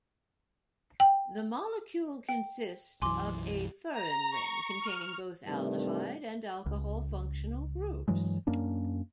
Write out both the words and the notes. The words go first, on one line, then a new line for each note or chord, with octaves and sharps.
The molecule consists of a furan ring, containing both aldehyde and alcohol functional groups.
G5
G5
B1 F#2 E3 G#5 C6 D6
A#5
C#6
F6
G2 C3 D#3 G3 A3
C#2
G2 E3 F#3 G#3
F#2 A#3 C#4 D4